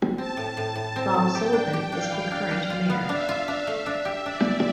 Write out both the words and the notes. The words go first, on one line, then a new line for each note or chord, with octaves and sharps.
Bob Sullivan is the current mayor.
C4 A5
A2
A2
A2
C4
A2
G4 G5
D4
G4
D4 F5
E3
D4
D4
F4
B3
D4 E5
F4
D4
A3
D4
G4
D4 D5
D4